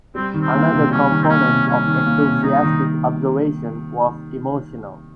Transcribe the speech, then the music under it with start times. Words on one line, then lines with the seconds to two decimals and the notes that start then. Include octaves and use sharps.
Another component of enthusiastic observation was emotional.
0.15 G3 C4
0.34 D#3
0.39 C4
0.54 A#3
0.72 C3
0.91 G3 C#4
1.10 D#3
1.22 C4
1.29 A#3 C#4
1.48 C3
1.67 G3 C#4
1.86 D#3
2.06 A#3
2.24 C3
2.43 G3 D#4
2.62 D#3